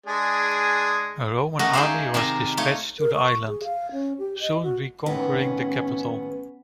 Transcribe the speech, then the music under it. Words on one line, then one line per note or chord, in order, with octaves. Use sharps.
A Roman army was dispatched to the island, soon reconquering the capital.
G#3 D4 G#4
A3 C#4 F#4 A#4 D#5
D#4 G#4 C5 D5 E5 F5
C3 D#3 C4 A#4
A3 D#4 F4 C#5
A#4
C#6
G#4
F5
C#4
G4
D#5
F#4
A2 D#3 B3 C#4